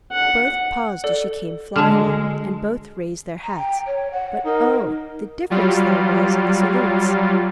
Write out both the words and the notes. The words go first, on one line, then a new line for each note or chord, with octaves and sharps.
Both paused as she came flying up, and both raised their hats; but oh, the difference there was in the salutes!
F#5
A4 D5
D3 F#3 G#3 A5 F6
A#5
G5
C#5
F#5
D#4 A#4
F#3 G3 F4